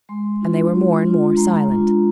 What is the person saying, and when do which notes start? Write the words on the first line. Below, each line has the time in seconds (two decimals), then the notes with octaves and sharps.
And they were more and more silent.
0.09 G#3 C6
0.41 D4 F4
0.73 G#3
1.05 D4 F4
1.37 G#3 A#5
1.69 D4 F4